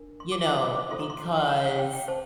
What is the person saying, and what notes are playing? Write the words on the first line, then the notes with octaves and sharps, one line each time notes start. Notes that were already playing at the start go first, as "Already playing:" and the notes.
You know, because,
Already playing: D4 A#4
C6
D6
D6
D6
D6
F4 A4 C5 C6
A#5
C6
A#5
F5
G5
G5
C5 A5